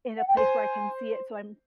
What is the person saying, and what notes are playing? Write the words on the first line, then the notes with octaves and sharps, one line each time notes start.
in a place where I can see it so I'm
F#5
G5
C5 G#5